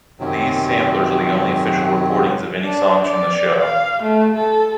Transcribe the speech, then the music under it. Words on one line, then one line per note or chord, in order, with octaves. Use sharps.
These samplers are the only official recording of any songs from the show.
F#2 C3 D#3 F#3
D4
D5
F5
A3
A4